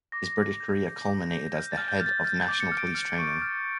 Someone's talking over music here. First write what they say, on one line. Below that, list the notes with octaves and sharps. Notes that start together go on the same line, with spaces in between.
His British career culminated as the Head of National Police Training.
D6 A#6
D6
G6
G6
D6
G6
F6 G6
A6
F6
G6
F6
A6
F6 G6
A6
D6
C#7
F6
D7
F6
C#6
F6